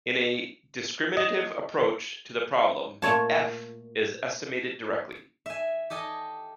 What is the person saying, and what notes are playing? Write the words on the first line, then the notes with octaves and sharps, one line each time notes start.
In a discriminative approach to the problem, "f" is estimated directly.
D#5
A#2 A3 C#5 A5
E5 G#5
G4 A4 D#5 G#5